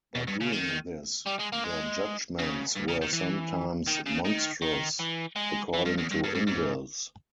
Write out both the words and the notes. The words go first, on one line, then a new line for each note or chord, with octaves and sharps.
By doing this their judgements were sometimes "monstrous" according to Ingalls.
B2
G2
C#3
D#3
G3
G#3
A#3
G#3
C#3
G2
C#3
D#3
E3
D#3
C#3
D#3
D#3
E3
G#3
E3
G2
E2
G2
G2
G#2
G#2